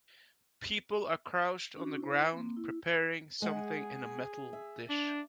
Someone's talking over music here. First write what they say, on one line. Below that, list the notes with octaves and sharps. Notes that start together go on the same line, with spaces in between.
People are crouched on the ground preparing something in a metal dish.
C#4 D4 F#4
E4 C5
A#3 C4
E4
G#3 G#4 F#5
E5
D4